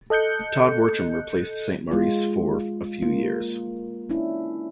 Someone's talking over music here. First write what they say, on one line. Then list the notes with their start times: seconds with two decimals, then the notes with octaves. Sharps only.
Todd Wircham replaced Saint-Maurice for a few years.
0.10 A4 D#5 F#6 G6 C#7
1.91 G#3 F4
3.02 A#3 F4
4.10 C#4 D4 E4